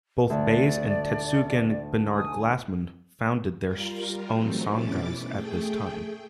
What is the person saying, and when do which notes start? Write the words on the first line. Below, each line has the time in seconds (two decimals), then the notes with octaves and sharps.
Both Bays and Tetsugen Bernard Glassman founded their own sanghas at this time.
0.30 D2 D5
2.13 G#5 D#6
3.66 G3 F4 A#4
4.33 E3 F#3 G3 A3 C4 D#4
4.74 B2 E3 C#4 E4 D6 A6
5.32 A3 G#4 G5